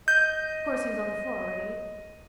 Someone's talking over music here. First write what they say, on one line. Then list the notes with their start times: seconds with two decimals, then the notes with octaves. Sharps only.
Of course he was on the floor already.
0.08 D#5 G6